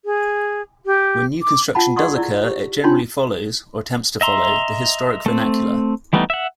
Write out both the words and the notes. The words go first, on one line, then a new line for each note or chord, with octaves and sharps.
When new construction does occur, it generally follows-or attempts to follow-the historic vernacular.
G#4
G4
D6
F4 F#5 G5 A5 B5
G#4 D5 F#5 C6 C#6 D#6
E4 D5 E6
G4
D4 D#4 F4 C#5 G5 C6
D#5 E5 A#5 C6
A3 C4
E3 G3 A3 B3 D#4
E5 F#5